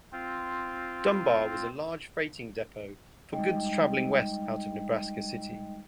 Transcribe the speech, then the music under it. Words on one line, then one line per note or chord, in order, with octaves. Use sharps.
Dunbar was a large freighting depot for goods traveling west out of Nebraska City.
C4 F4
G3 G#3 D#4 D#5 G5